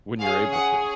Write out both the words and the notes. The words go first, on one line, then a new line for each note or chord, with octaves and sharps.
When you're able to.
C#4 G#4 F5
F#5